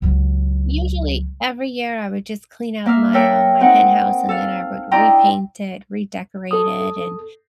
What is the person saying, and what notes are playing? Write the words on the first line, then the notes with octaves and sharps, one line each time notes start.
usually, every year, I would just clean out my, um, my hen house, and then I would repaint it, redecorate it, and
C#2 F#3
A#3 E5 F5
A4 A#4 C#5 E5 G5
C4 D#4 F#5
A4 F5
D4 E4 D#5 G5 A#5 C6
A4 D#6